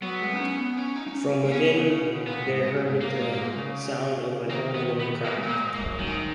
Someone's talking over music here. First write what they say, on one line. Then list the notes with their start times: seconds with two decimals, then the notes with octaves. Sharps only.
From within they heard the sound of an old woman crying.
0.02 F#3 B3
0.21 G#3
0.35 D#4
0.40 C#4
0.59 B3
0.77 C#4
0.96 D#4
1.08 D#4
1.14 C#4
1.45 A#3
1.52 B3 C#4
1.76 C#3
2.01 B2
2.26 A#2 B3
2.45 G#2
2.64 G#2
2.76 A#2
2.82 G#2
3.01 A#3
3.19 G#2
3.38 G#2
3.56 C#3
4.50 D#3 A#3
4.74 B3
4.99 B3
5.19 A#2
5.24 B2 A#3
5.35 G#2
5.42 A#2
5.49 A#3
5.62 G#2
5.74 A#3
5.80 F#2
5.99 F#2 D#3
6.07 G#2